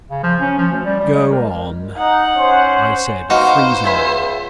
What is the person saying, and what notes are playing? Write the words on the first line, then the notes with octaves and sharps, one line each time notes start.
"Go on," I said freezingly.
C#3
F3
C#4
F3
D2
G3
G3
G#3
A#4
D#4 F#5
C#4 C5
B3 D#4 F#4 C5 F5
C#2 F4 E5 G#5 B5